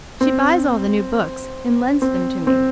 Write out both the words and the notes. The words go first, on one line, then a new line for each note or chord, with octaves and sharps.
She buys all the new books and lends them to me.
C4
C4
C4